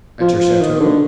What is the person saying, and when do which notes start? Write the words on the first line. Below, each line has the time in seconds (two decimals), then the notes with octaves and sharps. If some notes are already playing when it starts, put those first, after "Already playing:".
"At your chateau."
0.20 F3
0.38 F3
0.61 D#3
0.80 D3